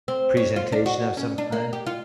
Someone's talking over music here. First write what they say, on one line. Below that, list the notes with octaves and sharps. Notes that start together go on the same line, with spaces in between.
Presentation of some kind?
C4
C#5
F4
D4
F#4
C#4
D4
A#3
G4
F4